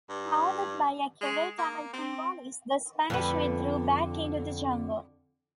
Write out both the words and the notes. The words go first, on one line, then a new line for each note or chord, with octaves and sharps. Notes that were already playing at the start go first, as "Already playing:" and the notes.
Pounded by accurate American volleys, the Spanish withdrew back into the jungle.
G2
G#3
A#3
C4
F2 D3 B4